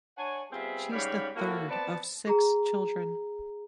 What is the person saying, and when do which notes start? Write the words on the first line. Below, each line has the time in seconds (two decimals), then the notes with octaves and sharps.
She is the third of six children.
0.17 D4 C#5 F#5 G#5
0.52 G3 B3 C4 F4 G#4 E5
0.92 G#2 C#3 G3 C#5 F5 B5
1.36 A2 A#3 F#4
1.69 B3 C4 B4 D5 A5
2.27 G#4 A#5